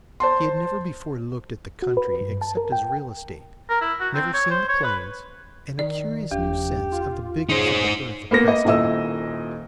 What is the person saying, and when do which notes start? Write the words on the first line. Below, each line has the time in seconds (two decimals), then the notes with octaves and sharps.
He had never before looked at the country except as real estate, never seen the plains, and a curious new sense of the bigness of the earth oppressed him.
0.20 C5 A5 C6
1.82 F#4
1.97 B4
2.21 G2
2.42 A5
2.57 A#4
2.72 G5
3.69 A#4
3.81 E4
4.00 F#4
4.14 C4
4.34 C#5
4.51 C5
4.69 C#5
4.83 B4
5.79 D#3 D5
6.31 F1 E2 G4
6.92 F4
7.49 C#3 D#4 C5
8.31 A#3 B3 A#4 A#6
8.48 D#5
8.65 D#1 A#2 E4 D#5 E6